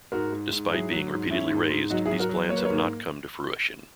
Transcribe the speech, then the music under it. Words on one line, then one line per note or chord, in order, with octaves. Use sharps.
Despite being repeatedly raised, these plans have not come to fruition.
G#2 F#4 A#4
G#2
G#2
F#3 E4 G#4
F#3
G#2
G#2 C#4 E4
G#2
G#2
F#3 D#4 F#4
E4 G#4
F#3
F#4 A#4
F#3
A#3 C#5
B4
G#2 A#4 C#5